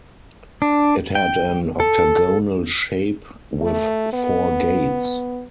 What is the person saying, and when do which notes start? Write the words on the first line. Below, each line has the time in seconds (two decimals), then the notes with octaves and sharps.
It had an octagonal shape with four gates.
0.62 D4
1.15 G5
1.80 A4
3.62 A3
4.13 B3